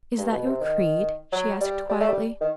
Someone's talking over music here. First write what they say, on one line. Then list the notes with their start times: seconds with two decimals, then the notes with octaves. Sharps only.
"Is that your creed?" she asked quietly.
0.18 G2
0.32 B2
0.47 C3
0.61 D#3
1.32 F#3
1.61 G3
1.89 G3
2.00 A3
2.08 G3
2.41 D#3